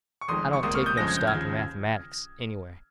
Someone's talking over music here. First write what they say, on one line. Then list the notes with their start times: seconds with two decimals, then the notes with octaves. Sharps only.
I don't take no stock in mathematics, anyway.
0.21 C#6
0.28 F1 F2 D#3 G#3 C6 D#6
0.53 C#6
0.63 C#2 C3 G3 A#3 C6 D#6
0.75 C#6 F6
0.86 D#6 G6
0.97 G1 F2 C#3 F3 G#3 A#6
1.08 G#6
1.17 G6
1.27 F6 G#6
1.33 D#2 C#3 F3